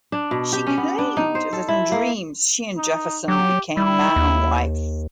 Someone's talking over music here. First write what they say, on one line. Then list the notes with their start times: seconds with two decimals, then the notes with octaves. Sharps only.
She claimed that in dreams, she and Jefferson became man and wife.
0.12 D4
0.31 B2
0.53 G4
0.67 C#4
0.78 B3
0.99 D4
1.17 D#4
1.35 C5
1.53 A4
1.68 E4
1.92 A#3
2.77 D#4
3.28 F#3 G4
3.77 G3 E4
4.16 D#2